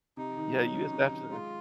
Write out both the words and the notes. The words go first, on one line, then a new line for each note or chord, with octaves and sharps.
Yeah, you just have to
C3 D#4
D#3
F#3
C#4
C3
D#3
G#3 F4